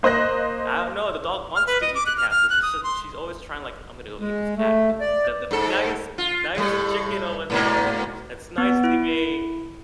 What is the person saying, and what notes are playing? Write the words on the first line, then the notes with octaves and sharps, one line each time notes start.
I dunno, the dog wants to eat the cat food, she's such she's always trying, like, I'm gonna go eat this cat food, instead of the foo nice nice chicken over there that's nicely made.
A#3 C5 D#5 F#6 A#6
F6
B4
D#5
D6
F#6
F6
F6
F#6
D#6
C6
G#3
A3
D5
G#2 A4
F4
A2 G3
G#2 B2 A#3
B3
E4